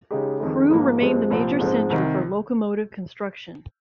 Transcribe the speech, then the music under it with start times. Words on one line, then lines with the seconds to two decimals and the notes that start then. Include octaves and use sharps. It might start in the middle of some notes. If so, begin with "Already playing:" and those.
Crewe remained the major centre for locomotive construction.
0.11 C#3 G#3 D#4 G4
0.40 F2 D#3 G#3
0.71 G#2 F3 A#3
1.01 G2 F3 G#3 C4
1.30 C2 A#2 F3 C4
1.59 G#2 F3 G#3 C4
1.90 C2 C3 D#3